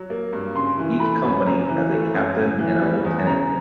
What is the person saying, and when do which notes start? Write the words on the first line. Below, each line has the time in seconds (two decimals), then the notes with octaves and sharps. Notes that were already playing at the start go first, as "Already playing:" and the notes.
Each company has a Captain and a Lieutenant.
Already playing: F#3
0.10 A#3
0.33 G2
0.55 C#3 C6
0.78 E3
1.00 A3 B5
1.24 F#2
1.46 C#3 A#5
1.68 E3
1.91 A3
2.14 F#2
2.36 C#3
2.59 E3
2.81 G3
3.04 E2
3.26 C#3 A#5